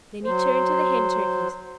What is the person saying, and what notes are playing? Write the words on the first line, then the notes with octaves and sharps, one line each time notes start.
Then he turned to the Hen Turkeys.
F#3 C5